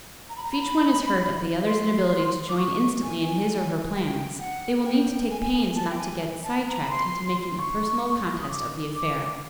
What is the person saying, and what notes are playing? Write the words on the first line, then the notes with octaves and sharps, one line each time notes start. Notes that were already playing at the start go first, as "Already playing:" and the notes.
If each one is hurt at the other's inability to join instantly in his, or her, plans, they will need to take pains not to get sidetracked into making a personal contest of the affair.
A#5
B5
A#5
B5
C6
D6
C#6
G#5
G5
F#5
G5
G#5
G#5
G#5
A5
G5
G#5
A5
A#5
B5
C6
C6
C#6
D#6
D6
D6